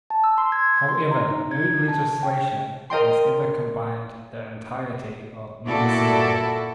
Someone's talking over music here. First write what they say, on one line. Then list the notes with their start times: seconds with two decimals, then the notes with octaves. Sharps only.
However, no legislation has ever combined the entirety of Lunacy Law.
0.10 A5
0.24 E6
0.38 C6
0.52 G#6
0.88 C6
1.11 A#5
1.31 D#4
1.51 G#6
1.88 A5
2.23 G5
2.90 A#4 D#5 G5 C6
5.68 A#2 E4 F#4 A4 D5